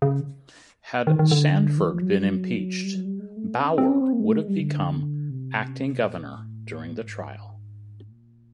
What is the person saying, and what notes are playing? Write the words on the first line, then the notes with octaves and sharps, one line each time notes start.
Had Sanford been impeached, Bauer would have become acting governor during the trial.
C#3
D#3
D#3
D3
E3
F3
F#3
G3
F#3
G3
G#3
A3
B3
C4
C#4
C4
C#4
C4
A#3
G#3
A3
G#3
G3
D3
C3
A#2
A2
G#2
A2
A#2